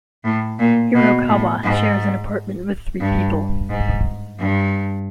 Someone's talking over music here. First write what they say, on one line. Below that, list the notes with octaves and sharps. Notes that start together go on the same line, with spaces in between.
Hirokawa shares an apartment with three people.
A2
A#2
B2
A2
G#2
G2
G#2
G2